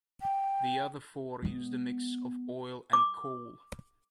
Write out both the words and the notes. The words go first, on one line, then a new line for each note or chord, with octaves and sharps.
The other four used a mix of oil and coal.
G5
G#3 B3
D6